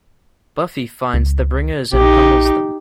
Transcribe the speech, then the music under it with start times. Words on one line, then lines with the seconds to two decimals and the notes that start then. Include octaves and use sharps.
Buffy finds the Bringers and pummels them.
1.14 C#2
1.93 A#1 D#4 G4